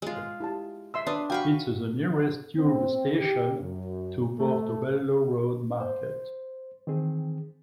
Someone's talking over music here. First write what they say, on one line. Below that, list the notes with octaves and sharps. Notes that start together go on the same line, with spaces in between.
It is the nearest tube station to Portobello Road Market.
G#3 F4
E4 G4 A5
E5 C6 E6
D4 B4 C6 D#6
F#4 F5 G5 G#5 B5 C#6
C4
G4
F#2
A3
C5
D#3 E3 C4 G#4